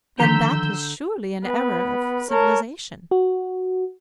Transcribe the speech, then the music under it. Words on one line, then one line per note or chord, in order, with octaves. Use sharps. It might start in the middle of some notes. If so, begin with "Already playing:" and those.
Then that is surely an error of civilization.
D3 D#3 F3 A#5 E6 G6 B6
B3 B4
A#4 C#5 A5
F#4